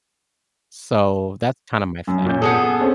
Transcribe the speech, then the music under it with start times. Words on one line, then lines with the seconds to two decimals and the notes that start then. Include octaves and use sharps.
so that's kinda my thing.
2.07 F#2
2.26 A#2 C#4 G6
2.42 B3 G#4 A4 D#6
2.80 C4 C#4